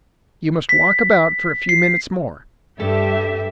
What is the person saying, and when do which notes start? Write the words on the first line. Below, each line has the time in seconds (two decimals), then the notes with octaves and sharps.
You must walk about for a few minutes more.
0.69 B6
1.69 C7
2.80 G2 A3 G4 A4 E5